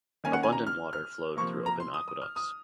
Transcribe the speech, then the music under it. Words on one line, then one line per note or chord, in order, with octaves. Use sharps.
Abundant water flowed through open aqueducts.
D#3 A#3 C#4 G#5
F#5
G#5
A#5
F6
F6
C3 F3 A#3 C#6
A#5
C6
D#6
D#6
F6
D#6